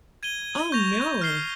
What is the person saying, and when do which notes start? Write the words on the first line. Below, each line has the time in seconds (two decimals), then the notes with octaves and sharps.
Oh, no.
0.23 G#6 D#7 G7
0.72 C#6 G6 A#6 F7
1.21 F6 C7 G7